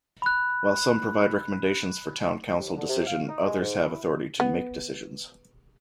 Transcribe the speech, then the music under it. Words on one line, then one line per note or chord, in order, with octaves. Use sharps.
While some provide recommendations for town council decision, others have authority to make decisions.
B5 F#6
D#2
D3
C3
F5
D#4
G#3
G#2
E4
B3